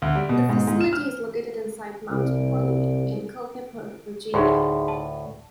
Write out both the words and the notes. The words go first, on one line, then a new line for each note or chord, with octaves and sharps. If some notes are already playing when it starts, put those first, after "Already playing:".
The facility is located inside Mount Pony in Culpeper, Virginia.
D2
G3
B2
G#2
G#2
E7
F6
C2
D2 A2 D#4 G#4 C6
A5